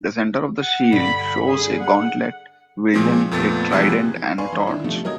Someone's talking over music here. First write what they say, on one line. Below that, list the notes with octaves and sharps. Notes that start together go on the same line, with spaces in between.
The center of the shield shows a gauntlet wielding a trident and a torch.
F#5
G2 D3 B5
G#4
F#5
A#2 F3 G#3 C4
F2 A#2 A3 B3 A6
C3 E3 F3 G#3 B3
B4 D5 F5 G#5 C6 C#6
E3
D3 D#3 D4 E4
C3 F3 A3
F#3 A#4 D#5 D#6 G#6